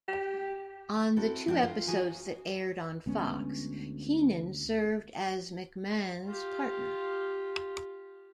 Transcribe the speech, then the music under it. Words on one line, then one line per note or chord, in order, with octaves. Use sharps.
On the two episodes that aired on Fox, Heenan served as McMahon's partner.
G4
C4 E4 F#4 A4
F3 C4 D4
F4
F#4 G#4 G#5 A#5
D2 G#3 B3 C#4
F4 G4